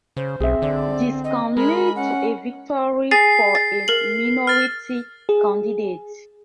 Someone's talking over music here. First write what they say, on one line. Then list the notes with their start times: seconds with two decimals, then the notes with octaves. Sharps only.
This can lead to a victory for a minority candidate.
0.17 C#3 C5
0.40 B1 C4 G#4 E5
0.62 D3 D5
1.24 D#5
1.57 G#3 A#4 B5
1.96 C#4 F#5
3.11 G#4 G#5 A6 C7
3.55 A6
3.88 A#4 F#7
4.47 F6 A6
5.29 G#4